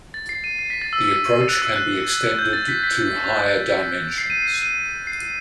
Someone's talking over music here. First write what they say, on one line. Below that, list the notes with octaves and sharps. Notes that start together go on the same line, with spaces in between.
The approach can be extended to higher dimensions.
A6
C7
D#7
C7
B6
A6
E6
E6
F#6
E6
F#6
G6
A6
B6
B6
C7
D#7
C7
D#7
C7